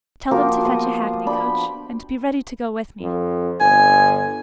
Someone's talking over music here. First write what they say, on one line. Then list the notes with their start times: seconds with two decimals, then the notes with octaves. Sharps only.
'Tell them to fetch a hackney-coach, and be ready to go with me.
0.31 F3 A#3 F#4 G4 A#4 D6
0.65 B3 C5 D#6
1.27 D4 G5 B5
3.01 F2
3.60 G1 G#5